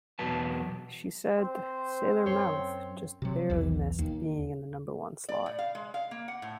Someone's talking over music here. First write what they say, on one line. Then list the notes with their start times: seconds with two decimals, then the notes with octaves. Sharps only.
She said 'Sailor Mouth' just barely missed being in the number one slot.
0.19 E2 B2 F#3 B4 A5
1.37 C4 C5
2.26 F#2 C#5 C6
3.22 C3 F#3
3.50 B1 E2 E3
3.99 D#2
5.29 D5
5.46 A2
5.59 F5
5.75 G#3
5.94 F5
6.11 A#3
6.28 F#5
6.42 A2